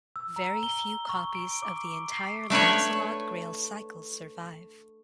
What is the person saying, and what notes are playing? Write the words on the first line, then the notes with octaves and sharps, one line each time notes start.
Very few copies of the entire Lancelot-Grail Cycle survive.
E6
A#5
G7
C#6
D7
D6
C7
A3 D4 B4 C#5